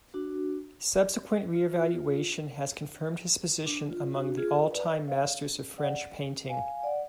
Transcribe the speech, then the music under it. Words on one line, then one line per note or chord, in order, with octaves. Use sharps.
Subsequent reevaluation has confirmed his position among the all-time masters of French painting.
D4 F#4
F4
D4
F4
D4 F#4
F4 G#4
B4 D5
C#5 F5
D5 F#5
F5 G#5
F5 G#5
D5 F#5